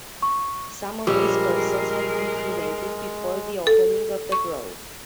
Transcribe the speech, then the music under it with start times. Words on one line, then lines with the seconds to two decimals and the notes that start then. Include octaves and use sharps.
Some of these persons had been cremated before the opening of the grove.
0.22 C#6
1.07 A#1 G3 G#3 G#4 A#4 C#5
3.67 A4
4.32 C#6